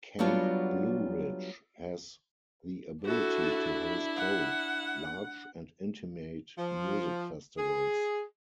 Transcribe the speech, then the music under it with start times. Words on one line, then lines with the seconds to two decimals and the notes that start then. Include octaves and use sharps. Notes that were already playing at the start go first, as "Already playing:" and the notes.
Camp Blue Ridge has the ability to host both large and intimate music festivals.
0.19 F#3 G3 B3 D4 F4 F#4
3.04 D4 E4 F#4 A4
4.16 F#5
6.57 F3
7.57 G#4